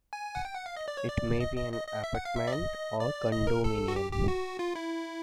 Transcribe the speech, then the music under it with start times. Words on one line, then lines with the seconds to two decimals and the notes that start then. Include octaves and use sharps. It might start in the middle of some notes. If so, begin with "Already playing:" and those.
It may be an apartment or condominium.
0.13 G#5
0.35 F#5
0.45 G5
0.55 F#5
0.66 F5
0.77 D#5
0.88 D5
0.97 C#5
1.09 D5
1.40 D#5
1.56 D#5
1.73 D#5
1.88 D#5
2.04 E5
2.15 F#5
2.25 F5
2.36 E5
2.47 D5
2.53 D#5
3.00 D5
3.32 D#5
3.47 A#4
3.64 A4
3.88 F#4
3.96 G4
4.12 G4
4.28 F#4
4.59 F4
4.75 E4